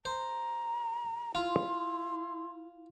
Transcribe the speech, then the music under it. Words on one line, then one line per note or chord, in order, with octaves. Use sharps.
Ford introduced flexibility into mass production, so that Fordism could continue to evolve.
C5 A#5
E4 F4 C6